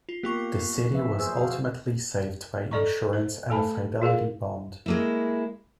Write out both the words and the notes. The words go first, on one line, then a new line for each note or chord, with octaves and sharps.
The city was ultimately saved by insurance and a fidelity bond.
F4
A#3 B3 F4 G4 C#6
F3 B4 E5
G#4 C5 E6
F#4 C5 F5
A4 D5 D#5 A#5 C#6
C5
A3 A4 G#5 A5 B5
F4 G#4 A#4 F5
G#3 A#3 E4